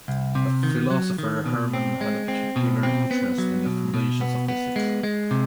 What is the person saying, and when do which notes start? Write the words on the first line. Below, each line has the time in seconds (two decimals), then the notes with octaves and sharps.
As a philosopher, Hermann had a particular interest in the foundations of physics.
0.08 C2
0.35 C3
0.63 D#3
0.90 F#3
1.18 D#3
1.46 B2
1.73 C4
2.01 G#3
2.28 C4
2.56 B2
2.83 C4
3.11 B3
3.38 F#3
3.66 B2
3.94 B2
4.21 B3
4.48 B3
4.76 G#3
5.03 G#3
5.31 C3